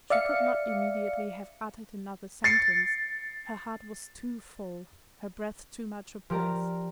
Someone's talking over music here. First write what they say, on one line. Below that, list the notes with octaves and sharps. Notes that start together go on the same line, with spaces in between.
She could not immediately have uttered another sentence; her heart was too full, her breath too much oppressed.
D5 E5 F5 C#7
A6 C7 C#7
F3 G4 A#4 D5 A#5